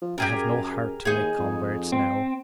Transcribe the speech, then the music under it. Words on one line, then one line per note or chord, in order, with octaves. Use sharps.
I have no heart to make converts now....
F3
F#2 G4 G#4 A#4
D#2 D#4 G#4
F2
C4